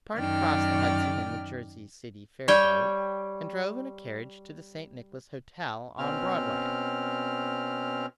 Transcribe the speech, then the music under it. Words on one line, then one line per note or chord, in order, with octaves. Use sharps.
The party crossed the Hudson in the Jersey City ferryboat, and drove in a carriage to the St. Nicholas Hotel, on Broadway.
F#2 D#3 D5 G5 F6
G3 C#5 G5
B2 C4 C#4 F6